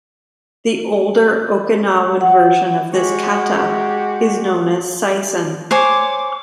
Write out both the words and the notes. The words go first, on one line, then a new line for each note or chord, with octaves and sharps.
The older Okinawan version of this kata is known as Seisan.
F#5
G#3 F#4 G4
C5 C#5 G#5 D6